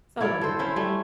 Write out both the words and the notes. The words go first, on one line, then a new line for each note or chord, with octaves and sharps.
So do I.
E4 C#5 D5
A4 C5
C#4 E4 C5
G3 A3